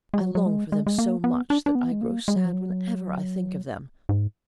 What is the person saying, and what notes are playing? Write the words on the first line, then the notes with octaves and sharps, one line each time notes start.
I long for them so much that I grow sad whenever I think of them.
G#3
F#3
F#3
G#3
G#3
G#3
A#3
B3
D4
D4
B3
G#3
A#3
G#3
F#3
F3
F#3
G#2